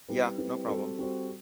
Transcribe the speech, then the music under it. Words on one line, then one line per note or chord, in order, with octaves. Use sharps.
Ya! No problem.
G3 C4 E4 B4
G3 C4 E4 B4
G3 C4 F#4 A4 C5
G3 C4 F#4 A4 C5